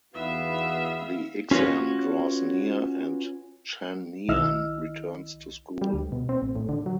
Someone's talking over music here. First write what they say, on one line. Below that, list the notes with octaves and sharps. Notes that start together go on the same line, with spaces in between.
The exam draws near and Chen Nian returns to school.
E2 B3 D#4 E4 F#4 B4 E5 F5
C#4 F4 F#4 B4 C#5
B1 D#3 E4 D#5 E6 F6
G3
D2
B2
C4
A1
A2
D3
F#3